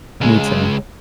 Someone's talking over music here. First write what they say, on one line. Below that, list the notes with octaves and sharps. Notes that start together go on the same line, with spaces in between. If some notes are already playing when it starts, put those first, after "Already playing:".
me too.
C#2 G#3